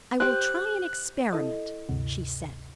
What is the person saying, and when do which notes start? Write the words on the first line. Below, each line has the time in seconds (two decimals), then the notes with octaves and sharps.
"I will try an experiment," she said.
0.20 G4 C5 F#6
1.33 E4 A4 D#5
1.89 D2 G2 C3